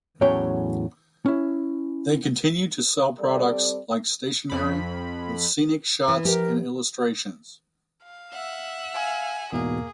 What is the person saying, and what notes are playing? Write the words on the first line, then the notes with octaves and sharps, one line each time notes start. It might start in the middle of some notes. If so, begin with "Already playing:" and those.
They continue to sell products like stationery with scenic shots and illustrations.
E2 A2 F#3 C#4 C#5 G5
C#4 E4
G3 C4 A4 D5
F2 B5
E3
F3 G4 A#4
F5
E5 F#5 E6
F5 G#5
E2 G#2 B2 A#3 G#4